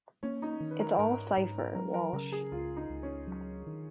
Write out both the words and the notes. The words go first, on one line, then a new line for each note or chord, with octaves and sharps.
It's all cypher, Walsh.
A#3 C#4
D#4
D#3
B4
A#4
G#2 A#4
G#2
F#3 A#4
A#4
C#3 A#4
G#4
C#2 F4
D#4
C#2
C#4
F#3
D#3